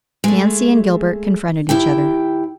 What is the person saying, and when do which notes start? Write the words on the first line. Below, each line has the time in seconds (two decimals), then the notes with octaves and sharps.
Nancy and Gilbert confronted each other.
0.24 G#3 A3
1.69 D#2 E4 G4 G5